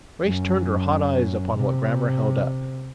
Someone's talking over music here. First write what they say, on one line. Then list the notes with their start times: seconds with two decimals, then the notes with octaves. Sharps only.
Grace turned her hot eyes upon what Grammer held up.
0.24 F#2
1.55 C3